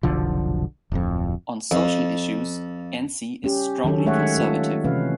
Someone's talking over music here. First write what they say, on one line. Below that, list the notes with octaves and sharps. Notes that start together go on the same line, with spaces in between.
On social issues, Enzi is strongly conservative.
F1 B1 D3 F3
D1 F2
F2
C#4 G4
D#3 F#3 C#4 A4
G#3 A3 C#5 E5 F#5
F4 A4
C3 D#3 E3 C#4 B4 F5